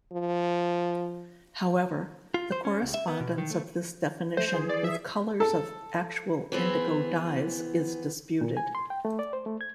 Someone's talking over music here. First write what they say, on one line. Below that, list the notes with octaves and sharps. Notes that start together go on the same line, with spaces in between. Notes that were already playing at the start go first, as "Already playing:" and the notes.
However, the correspondence of this definition with colors of actual indigo dyes is disputed.
F3
F4
C5
C#4
C#2
E5
B3
B2
D#3
A3
A3 C5
E3 G#4
D5
E5
A4
E3 B3 C4 G#4
A#2
G#5
C6
G5
A3
D5
C5
A3
G#6